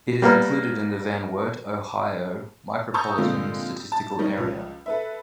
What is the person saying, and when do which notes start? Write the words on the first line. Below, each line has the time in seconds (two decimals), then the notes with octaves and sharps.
It is included in the Van Wert, Ohio Micropolitan Statistical Area.
0.22 G3 A#3 B3
2.94 A5 A#5 C#6 D#6 E6 G6
3.18 A#2 D3 F3 G#3 C4 F4
3.92 A5
4.19 G3 D#4 A#4 C#5
4.37 C#2 F3
4.86 A4 B4 E5